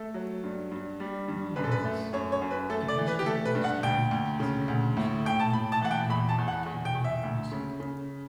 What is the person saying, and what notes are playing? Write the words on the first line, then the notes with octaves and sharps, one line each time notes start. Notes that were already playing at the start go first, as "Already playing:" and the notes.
Vloeimans initially studied classical music at the Rotterdam Academy of Music.
Already playing: A3 A4
F#3
G2
G2
G3
G2
F#2 B4
A4
B4
A3
F#2 C#5
C#5
F#2
B4
A3 A4
D5
E3
B4
G4
A3 A4
B4
G2
F#5
D2 G5
D2
C#3
D2
A2
A2 G5
A5
A2 B5
A5
E3 F#5
G5
E2 B5
A5
E2
F#5
E2
G5
E2
E5
D2
C#3
C#3